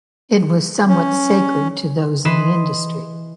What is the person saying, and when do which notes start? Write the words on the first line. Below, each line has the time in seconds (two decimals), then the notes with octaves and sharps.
It was somewhat sacred to those in the industry.
0.88 C#4
2.25 E3 B4 D#5 C6 B6 E7